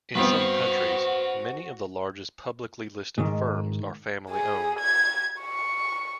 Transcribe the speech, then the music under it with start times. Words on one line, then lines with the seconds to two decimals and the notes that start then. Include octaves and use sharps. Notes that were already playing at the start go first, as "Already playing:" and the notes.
In some countries, many of the largest publicly listed firms are family-owned.
0.15 G2 B3 C4 F#4 B4 C5 F5
3.18 G#2 D#3
4.30 G#4
4.80 G#6
5.42 C#6